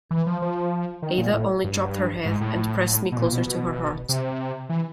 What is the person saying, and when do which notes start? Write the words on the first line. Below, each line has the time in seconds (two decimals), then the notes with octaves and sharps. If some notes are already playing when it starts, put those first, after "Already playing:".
Ada only dropped her head and pressed me closer to her heart.
0.11 E3
0.27 F3
0.42 F3
1.02 D#3
1.18 A#2
1.33 A2
1.64 G2
2.25 G#2
2.41 A2
2.56 A2
3.12 B2
3.17 A#2
3.32 B2
3.47 B2
4.09 C3
4.69 E3